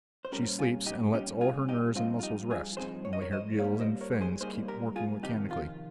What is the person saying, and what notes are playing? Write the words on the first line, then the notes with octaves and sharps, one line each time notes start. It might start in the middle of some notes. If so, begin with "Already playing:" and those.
She sleeps and lets all her nerves and muscles rest; only her gills and fins keep working mechanically.
C5
A#2 G3 C#4 G4 A#4
F4 G#4
D#4 G4
A#2 G3 C#4 D#4 G4
F4 G#4
D#4 G4
G2 F3 C4 D#4 F4
F4
D#4 G4
F4 G#4
G2 F3 C4 D#4 G#4 C5
C#5
D#5
A#4 C#5
C5 D#5
G2 G3 A#3 D#4 C#5 F5
C5 D#5
A#4 C#5
G#4 C5
G2 G3 A#3 D#4 G#4 C5
G4 A#4
F4 G#4
F2 C3 D#3 D#4 G4
F4